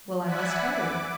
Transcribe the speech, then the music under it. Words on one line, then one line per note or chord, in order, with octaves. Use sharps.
Well, I must hurry.
D5 E5 F#5 G#5 B5 F#6
D6